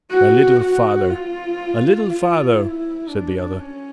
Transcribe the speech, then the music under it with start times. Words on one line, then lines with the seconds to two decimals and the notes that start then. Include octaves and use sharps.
"A little farther--a little farther," said the other.
0.10 F#4
0.60 F#4
1.10 F4
2.10 F4
2.59 E4
3.09 D4
3.59 C#4